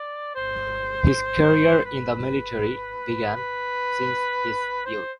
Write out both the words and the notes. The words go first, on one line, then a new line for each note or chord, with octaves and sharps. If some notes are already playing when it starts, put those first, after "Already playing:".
His career in the military began since his youth.
Already playing: D5
C5
B4
B4
C5